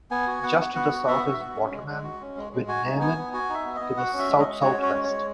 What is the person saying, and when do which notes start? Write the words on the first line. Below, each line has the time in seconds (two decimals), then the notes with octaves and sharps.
Just to the south is Waterman, with Neujmin to the south-southwest.
0.11 B3 G#5
0.27 F#4
0.43 B3 F#5
0.60 F#4
0.75 B3 F#5
0.92 F#4
1.08 B3 E5
1.24 F#4
1.40 F#4
1.56 C#4
1.72 G#3
1.88 G#3
2.04 F#4
2.21 C#4
2.36 G#3
2.53 G#3
2.68 F#4 G#5
2.84 D#4
3.00 B3 G#5
3.17 B3
3.33 F#4 G#5
3.49 D#4 E5
3.66 B3
3.75 D#5
3.81 B3
3.97 F#4 F#5
4.13 C#4
4.18 E5
4.29 G#3
4.40 D#5
4.45 G#3
4.62 F#4 C#5
4.78 C#4 C#5
4.93 G#3
5.04 C#5
5.09 G#3